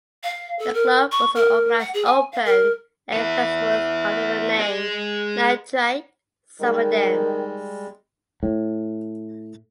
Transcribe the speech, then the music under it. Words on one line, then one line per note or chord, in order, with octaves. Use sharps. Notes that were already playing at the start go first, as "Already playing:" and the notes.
The club also organized open air festivals under the name "Natraj Summer Dance".
F5
A4
A#4
C#6
A#4
F#5
G#4
G#5
F5
A#4
B3 E4
G#4 D#5
D#3 G3 G#3
A2